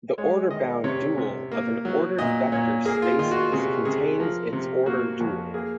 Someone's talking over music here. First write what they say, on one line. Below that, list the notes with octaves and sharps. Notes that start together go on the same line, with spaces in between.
The order bound dual of an ordered vector spaces contains its order dual.
G#3 C#5
D#3 D#5
C3 C#5
C3
A#3
F#3
A#2 D#5
A#2 C#5
A#3 G#4
F4
D#3 F4
F#4
F4
C3 G#4
C3 G#4
F3 A#4
C3
A#3 F#4
F2
A#3 G#4